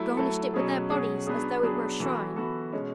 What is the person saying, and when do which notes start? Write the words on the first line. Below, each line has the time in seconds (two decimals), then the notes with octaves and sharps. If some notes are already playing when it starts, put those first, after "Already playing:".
Garnished it with their bodies as though it were a shrine.
Already playing: F#3 A3 E4 A4
0.17 F#3 A3 E4 A4
0.54 B2 F#3 C#4 G#4
0.90 B2 F#3 C#4 G#4
1.27 F#3 B3 D4 G#4
1.63 F#3 B3 D4 G#4
2.00 E3 B3 F#4 A4
2.36 E3 B3 F#4 A4
2.72 B2 G#3 C#4